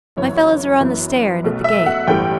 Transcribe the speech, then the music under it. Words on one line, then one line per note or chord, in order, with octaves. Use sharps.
'My fellows are on the stair and at the gate.
G1 F#2 E3 C#5
F#2 E3 B3
B1 B2 A3
E5
F#5
A1 G2 E3 A3 G5